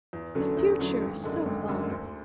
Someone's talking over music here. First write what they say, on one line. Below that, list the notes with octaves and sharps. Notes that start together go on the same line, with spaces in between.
The future is so long.
E2
D3 F#3 A3 C#4
E2
D3 F#3 A3 C#4
G#1
F#2 D3 G#3
G#1
F#2 D3 G#3
D2